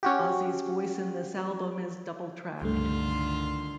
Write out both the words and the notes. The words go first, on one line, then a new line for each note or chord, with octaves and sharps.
Ozzy's voice in this album is doubled tracked.
C#4 F#4 G4
C#2 G2 D3 D#3 A3 F4